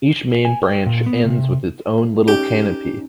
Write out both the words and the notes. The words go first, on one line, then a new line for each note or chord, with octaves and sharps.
Each main branch ends with its own little canopy.
G#5
G5
A#2
B3
C3
C#4 D#4 G4